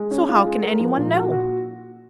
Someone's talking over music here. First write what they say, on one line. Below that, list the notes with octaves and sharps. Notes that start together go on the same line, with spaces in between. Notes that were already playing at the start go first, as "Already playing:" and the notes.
So how can any one know?
Already playing: G#3
C#4
F4
G#3
A#4
F3
A#2
F#4
F#4